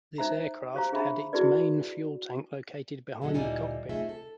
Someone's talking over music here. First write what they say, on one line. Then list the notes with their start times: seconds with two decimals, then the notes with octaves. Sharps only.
This aircraft had its main fuel tank located behind the cockpit.
0.18 D#4 C5 E5 A#5
0.75 G4 C5 F5 A#5
0.92 D4 G#4 E5 A#5 B5
1.33 E4 F#4 G#4 A4 B4 D5
3.21 F#2 B2 D3 F#3 G#3 A3
3.34 D2 A#2 G3 D#4 E4 G#5
3.89 C3 A3 D#4 F4 G#4 E5
4.09 A4